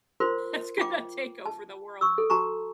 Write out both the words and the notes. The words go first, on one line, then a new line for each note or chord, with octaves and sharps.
It's gonna take over the world.
F4 A#4 C5 C6
F4 G5 D6
A5
C#6 E6
A4
F#4 A5 A#5 C#6